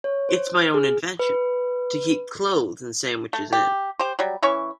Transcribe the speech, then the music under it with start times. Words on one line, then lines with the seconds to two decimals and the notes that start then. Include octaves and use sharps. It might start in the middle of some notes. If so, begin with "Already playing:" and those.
It’s my own invention—to keep clothes and sandwiches in.
0.04 C#5
0.29 C5
0.57 F6
0.74 G#4
1.19 B4
3.33 A3
3.53 G4
3.99 G4 C5
4.19 F#3 G3
4.43 E3 C#4 C#5 C#6